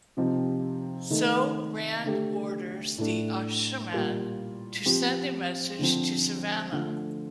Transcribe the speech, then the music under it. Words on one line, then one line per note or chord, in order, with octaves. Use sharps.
So Rand orders the "Asha'man" to "send a message" to Sevanna.
C3 F3 C4 D#4 G4
D#3 A3 D#4
D3 A3 D4 G4
A2 A3 D4
A#2 G3 A#3 F4
F3 C4 G4
D3 F3 C4
D3 F3 A3